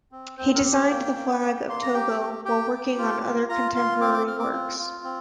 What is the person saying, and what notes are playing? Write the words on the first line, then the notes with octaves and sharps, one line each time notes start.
He designed the flag of Togo while working on other contemporary works.
C4
C4 C5
A#4
G4
C5
A#3 G5
A#3
A#3
A#3 C6
A#5
G4 G5
G4
G4 G5
G4
F4
F4
F4 A#5
F4 C6
C4 D6
D6
C4 F6
D6
F4
F4
C4